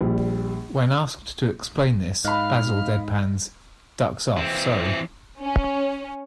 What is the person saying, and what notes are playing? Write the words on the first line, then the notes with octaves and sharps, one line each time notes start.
When asked to explain this, Basil deadpans, "Duck's off, sorry".
A#1 A#2 G3
G#2 D#5 F5 B5 F6 F#6
E3 C4
C#4